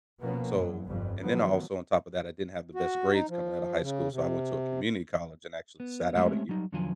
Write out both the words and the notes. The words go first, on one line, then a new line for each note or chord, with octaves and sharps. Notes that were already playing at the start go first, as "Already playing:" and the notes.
so and then I also, on top of that, I didn't have the best grades coming out of high school, so, I went to a community college and actually sat out a year
B2 F3 A#3 B3 C#4
F#2
G1 F2 G3
D#3 F3 F#3 A3 B3
F#4
D#4
F3
C#3
C3
B3
G#3 A3 C4 C#4 G4 E5
F#3 G3 D#4
E2 D3 F3 F#3 F4 G#5